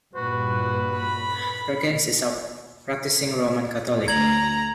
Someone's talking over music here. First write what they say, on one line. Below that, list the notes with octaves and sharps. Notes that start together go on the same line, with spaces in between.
Perkins is a practicing Roman Catholic.
G2 A#2 F#4 B4
B5
D2 A#5 G#6 F#7